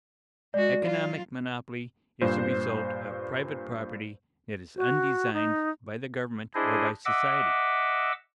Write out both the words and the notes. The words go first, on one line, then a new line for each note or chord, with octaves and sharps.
Economic monopoly is a result of private property that is undesigned by the government or by society.
G#3 F#4 D5
F#3 F4
G2 A#2 C5
F#4
D#4
D4 E4 G#4 C5 D#5
D#5 E5 F#5 D6 E6